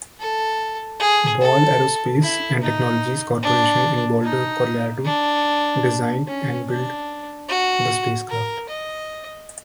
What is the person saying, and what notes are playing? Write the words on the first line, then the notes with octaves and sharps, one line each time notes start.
Ball Aerospace and Technologies Corporation in Boulder, Colorado, designed and built the spacecraft.
A4
G#4
A4
E4
D#4
D4
D#4
D4
C#4
D4
F#4
A#4
D#5